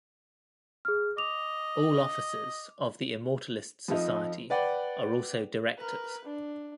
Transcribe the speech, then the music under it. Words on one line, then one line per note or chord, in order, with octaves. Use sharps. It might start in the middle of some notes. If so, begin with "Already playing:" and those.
All Officers of the Immortalist Society are also Directors.
G#4 F6
D#5 D6 F7
F2 F3 D#4
B4 D5 F#5 G5
A#4 B4
D4